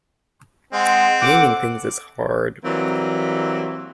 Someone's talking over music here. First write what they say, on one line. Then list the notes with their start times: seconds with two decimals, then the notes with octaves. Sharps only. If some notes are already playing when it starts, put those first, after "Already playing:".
Naming things is hard.
0.73 G#3 C4 F#5
1.21 A4 F#5 D6
2.64 E3 F#3 G3 A#3 C4